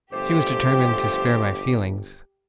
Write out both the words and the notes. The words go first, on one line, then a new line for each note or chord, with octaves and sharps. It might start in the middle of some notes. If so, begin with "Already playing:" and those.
She was determined to spare my feelings.
G1 F3 A3 G4 C5 D6